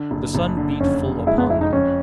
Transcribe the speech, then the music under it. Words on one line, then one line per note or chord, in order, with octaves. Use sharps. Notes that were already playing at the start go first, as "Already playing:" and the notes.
The sun beat full upon them.
Already playing: D3
F#1
F#1
D3
F2 C#4
C#3
G#3 E4
B3
F2 E4
D#4
F2 C#4